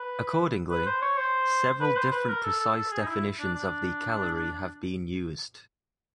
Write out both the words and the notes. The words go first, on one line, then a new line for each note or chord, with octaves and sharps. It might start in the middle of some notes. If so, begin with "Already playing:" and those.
Accordingly, several different precise definitions of the calorie have been used.
Already playing: B4
B4
C5
C#5
C5
B4
C5
B4
A#4
A4
A4
A4
G#4
D#4
E4
D4
D4